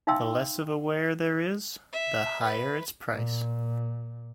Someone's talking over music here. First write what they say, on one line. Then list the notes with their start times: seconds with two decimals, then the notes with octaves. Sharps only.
The less of a ware there is, the higher its price.
0.07 D#4 E5 F5 G5 C6 E6
1.92 E5
2.43 B4
3.12 A#2